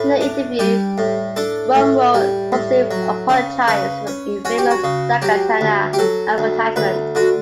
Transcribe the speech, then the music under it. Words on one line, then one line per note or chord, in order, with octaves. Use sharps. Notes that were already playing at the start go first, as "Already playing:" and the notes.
In the interview, Romero publicly apologized for the infamous "Daikatana" advertisement.
Already playing: A2 B4
D4
G3 G4
A2
D4 A4
A2
G3
A2
F#3
C#3
C#3 B4
C#4
C#4 F#4
G4
F#4
C#3
F#3 G4
D2
G4
F#3 A4
D2
D2 B4
D3 F#4